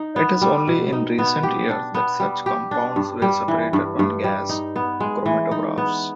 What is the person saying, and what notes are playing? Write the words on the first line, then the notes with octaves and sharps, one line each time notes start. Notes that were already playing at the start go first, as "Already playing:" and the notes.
It is only in recent years that such compounds were separated on gas chromatographs.
Already playing: D#4
B3
G3
B2
D#4
B3
G4
D4
B3
G3
G4
D4
G2
G3
E3
G2
G2
G3
D#4
B3
G#3
E3
D#4
B3